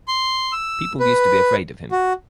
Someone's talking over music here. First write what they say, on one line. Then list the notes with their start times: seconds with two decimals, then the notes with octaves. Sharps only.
People used to be afraid of him.
0.08 C6
0.52 E6
1.00 B4
1.92 F#4